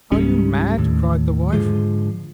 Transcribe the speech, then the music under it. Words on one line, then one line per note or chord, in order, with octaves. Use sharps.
'Are you mad?' cried the wife.
C#2 G#2 G3 C#4
D#2 A2
G#2 D3 F3 G#3